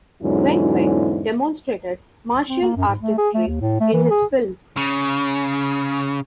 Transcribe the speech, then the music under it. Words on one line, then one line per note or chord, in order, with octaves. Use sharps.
Weng Weng demonstrated martial artistry in his films.
E2 G#2 D3 F#3 C#4 E4
C4
A#3
F#2
G#2
A3
G#4
A3
D#2
A2
A3
E3
G#4
C#3